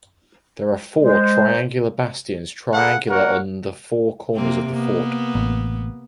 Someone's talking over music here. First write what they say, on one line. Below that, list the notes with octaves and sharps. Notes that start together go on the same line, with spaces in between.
There are four triangular bastions triangular on the four corners of the fort.
G#3 C5
G#4 A4 B4 F5 F#5
A#3 F#4 A#4 C#5 F#5
C3 A#3 C4
A#3 B3
A1